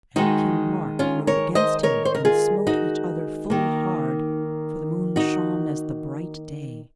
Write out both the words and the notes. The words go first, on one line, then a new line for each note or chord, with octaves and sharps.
And King Mark rode against him, and smote each other full hard, for the moon shone as the bright day.
D#3 G#3 D#4 F#4
C#4 F4
A#4 C#5
C5 D#5
A#4 C#5
C5
A#4
F4 G#4
D#4 F#4
D#3 A#3
D#4 F#4